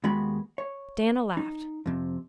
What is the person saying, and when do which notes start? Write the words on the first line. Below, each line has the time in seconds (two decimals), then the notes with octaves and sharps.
Diana laughed.
0.04 D#2 G#3 B3 F#4 B5
0.58 C#5
1.37 D#4
1.86 F2 C3